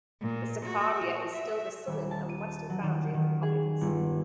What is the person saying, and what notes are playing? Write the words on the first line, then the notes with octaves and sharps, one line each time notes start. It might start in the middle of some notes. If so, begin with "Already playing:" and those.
The Sakarya is still the southern and western boundary of the province.
A#2
F#4
E5
D#1
A5
D#7
F#3
D#3
D#3
G#4
G1